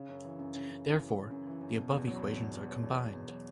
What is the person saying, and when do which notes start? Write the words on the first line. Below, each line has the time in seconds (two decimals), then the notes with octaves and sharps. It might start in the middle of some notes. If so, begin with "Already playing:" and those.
Therefore, the above equations are combined.
Already playing: C#3
0.09 F#2
0.24 E3
0.39 F#2
0.55 C#3
0.69 F#2
0.85 E3
1.00 F#2
1.16 C#3
1.31 F#2
1.47 E3
1.61 F#2
1.77 B2
1.92 E2
2.07 F#3
2.22 E2
2.37 B2
2.53 E2
2.68 F#3
2.83 E2
2.98 B2
3.13 E2
3.28 F#3